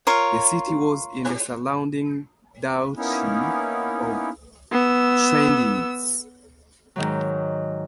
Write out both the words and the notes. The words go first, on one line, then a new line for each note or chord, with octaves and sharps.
The city was in the surrounding Duchy of Schweidnitz.
F4 A#4 C#5
A#3 B3 C#4 D#4 E4
B3 E6
G#2 D#3 F#3